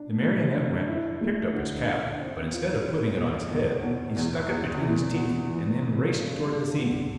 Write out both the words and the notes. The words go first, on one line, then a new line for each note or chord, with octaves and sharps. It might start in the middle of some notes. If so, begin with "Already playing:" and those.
The Marionette went, picked up his cap--but instead of putting it on his head, he stuck it between his teeth and then raced toward the sea.
Already playing: D4
A3
D4
E4
A3
D3
D3
C4
F4
C4
B2
E2
B2
E2
E2
E3
B3
E3
C3
G2
G2
B3